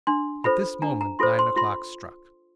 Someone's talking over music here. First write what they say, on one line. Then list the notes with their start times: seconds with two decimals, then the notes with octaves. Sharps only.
At this moment nine o'clock struck.
0.07 D4 C6
0.44 F4 A4 C5 B5
0.82 D4 A#5
1.01 A#5
1.19 F4 A4 C5 C6
1.39 C6
1.56 F4 C6